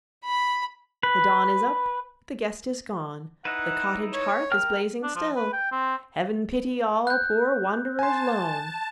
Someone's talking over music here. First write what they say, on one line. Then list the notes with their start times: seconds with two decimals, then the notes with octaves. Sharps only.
The dawn is up--the guest is gone, The cottage hearth is blazing still; Heaven pity all poor wanderers lone!
0.24 B5
1.03 B4
3.45 D#4 E4 B4 F#5
4.14 C#5
4.51 A#4 G5 F6
5.03 D4
5.15 F3
5.35 B4
5.53 G5
5.71 C4
7.07 F#6 G6
7.99 G#5 A5 C6